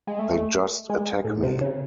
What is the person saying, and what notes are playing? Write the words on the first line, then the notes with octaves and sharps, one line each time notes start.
They just attack me.
G#3
A3
G#3
A2
C3
C#3